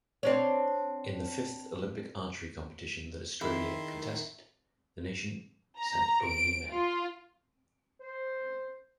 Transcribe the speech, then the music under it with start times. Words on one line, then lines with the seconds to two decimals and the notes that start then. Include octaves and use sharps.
In the fifth Olympic archery competition that Australia contested, the nation sent only men.
0.23 C4 D4 C#5
3.41 D#3 E4 G#4 E5 C6
5.79 A#5
6.25 D7
6.71 F4
8.00 C5